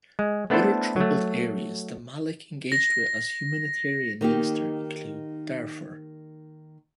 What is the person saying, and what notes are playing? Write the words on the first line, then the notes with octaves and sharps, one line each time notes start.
Other troubled areas that Malik engaged with as Humanitarian Minister included Darfur.
G#3
A3 B3 D4 E4 A4 C5
F#3 A3
A#6
D#3 A#3 D#4 G4